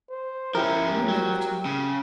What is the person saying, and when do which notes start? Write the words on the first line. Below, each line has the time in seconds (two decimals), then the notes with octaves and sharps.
And we moved.
0.10 C5
0.55 F3 C#4 E4 G4 A#4
1.08 F#3 G5
1.65 C#3